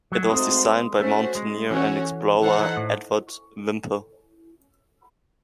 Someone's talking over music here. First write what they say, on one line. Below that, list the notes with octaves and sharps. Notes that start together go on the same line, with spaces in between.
It was designed by mountaineer and explorer Edward Whymper.
F#3
G#3 A3 C4 D#4 F#4 C5
A3 C#4 F#4 C5
G#3
E3 C#4 F#4 C#5
E3 D#4 A4 C5 F#5
E3
A2